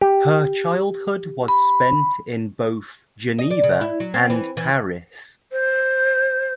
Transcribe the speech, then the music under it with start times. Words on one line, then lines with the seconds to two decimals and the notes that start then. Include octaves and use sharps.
Her childhood was spent in both Geneva and Paris.
0.01 G4
1.48 B5
3.38 D#5
3.50 D5
3.63 C#3
3.81 E4
4.00 F#3
4.14 C4
4.30 E3
4.57 E3
5.52 C5